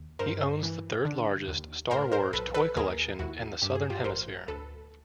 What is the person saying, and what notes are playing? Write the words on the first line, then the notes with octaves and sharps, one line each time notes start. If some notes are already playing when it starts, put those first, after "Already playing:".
He owns the third largest Star Wars toy collection in the southern hemisphere.
Already playing: D#2
G2 A#4 C5
E3
D3
D#2
A2 A#4 C5
A#4 C5
B1 A4 B4
A4 B4
D#2 G#4 A#4
D#2 E4 F#4
G2 G4
G#4
F4 G4
A1 A#4 C5
D2 A4 B4